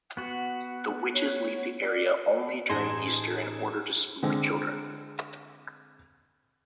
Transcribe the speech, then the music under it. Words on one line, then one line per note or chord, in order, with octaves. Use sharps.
The witches leave the area only during Easter in order to spook children.
B3 F#4
C#5
D5
A1 D#4 G#4 A5 A#5 C6 G#6 E7
D3 G#3 C4